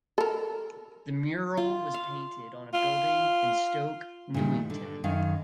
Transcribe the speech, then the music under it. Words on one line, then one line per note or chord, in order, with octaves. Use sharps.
The mural was painted on a building in Stoke Newington.
A4 A#4
F4
F5
F4
A#2 D#3 G3
D3
F#2 D#3 C#5 F5